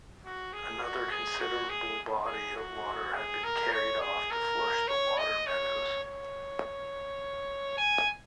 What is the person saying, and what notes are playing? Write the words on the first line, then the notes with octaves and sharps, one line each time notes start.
Another considerable body of water had been carried off to flush the water meadows.
F#4
G#4
F#4
G#4
F#4
G#4
G#4
F#4
G#4
A#4
C#5
G#4
A#4
C#5
D#5
C#5
C#5
G#5